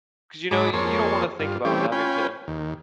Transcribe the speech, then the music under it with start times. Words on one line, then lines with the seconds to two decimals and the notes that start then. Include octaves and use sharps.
'Cause, you know, you you don't wanna think about having to
0.51 G#2 G#3 A5 B5 D6
0.73 F2 A#3 G#4 C#5 A5 C6
1.39 G2 F4
1.65 E3 G3 A3 C4 C#4 G4
1.92 C#4 F4 G5 G#5 B5
2.48 D#2